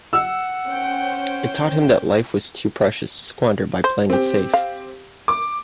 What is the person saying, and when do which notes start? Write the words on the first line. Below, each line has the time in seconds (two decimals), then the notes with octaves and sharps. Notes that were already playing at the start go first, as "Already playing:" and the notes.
It taught him that life was too precious to squander by playing it safe.
0.13 F#5 E6
0.68 C#4 C5 G5
3.84 C5
4.10 C4 G4
4.54 F5
5.28 D6